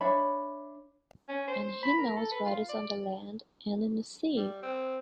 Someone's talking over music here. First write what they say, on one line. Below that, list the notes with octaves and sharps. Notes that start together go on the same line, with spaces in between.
And He knows what is on the land and in the sea.
D4 C#5 E5 B5
C#4
C5
B5
A#4
A4
B4
F4
D5
G3
C4